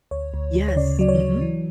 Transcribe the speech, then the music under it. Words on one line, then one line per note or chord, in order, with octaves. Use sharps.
Yes, mhm.
D2 C#5
D2
D2
C#5
C#3 D5
F#3 D5
C#5
F#3
E3